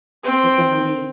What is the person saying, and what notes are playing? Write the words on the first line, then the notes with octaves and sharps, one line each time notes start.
taking the leap.
C4 G5